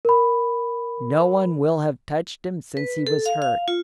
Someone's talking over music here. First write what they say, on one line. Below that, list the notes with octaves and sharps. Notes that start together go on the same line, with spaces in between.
No one will have touched him since he was hurt.
A#4 B5
B4
A4
F5
F5
F4